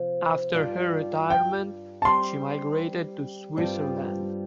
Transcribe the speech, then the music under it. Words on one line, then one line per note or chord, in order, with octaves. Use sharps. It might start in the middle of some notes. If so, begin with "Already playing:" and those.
After her retirement she migrated to Switzerland.
Already playing: C3 F3 F4 C5
G2 G3 F4 D5
G5
A5
G3 C4 G4 C6
G2 G3 C4 F4 D5